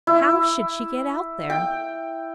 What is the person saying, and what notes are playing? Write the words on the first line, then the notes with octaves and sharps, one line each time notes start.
How should she get out there?
E4
G5